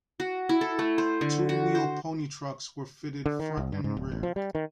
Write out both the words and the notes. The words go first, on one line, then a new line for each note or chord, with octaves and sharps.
Two-wheel pony trucks were fitted front and rear.
F#4
E4
A4
A3
C5
D3
F#4
C5
D3
D#3
C2
G2
G#2
D1
A1
F3
G3
D#3